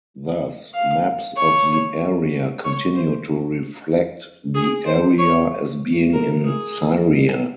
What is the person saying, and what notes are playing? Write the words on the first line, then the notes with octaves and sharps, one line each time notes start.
Thus, maps of the area continued to reflect the area as being in Syria.
F5
C#5
C#5
C5
G#4
C5
C#5
A#4
G#4